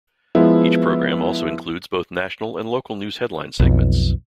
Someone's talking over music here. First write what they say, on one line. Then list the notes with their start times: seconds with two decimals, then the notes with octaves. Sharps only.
Each program also includes both national and local news headline segments.
0.35 F3 G#3 B3 E4
3.59 B1 F2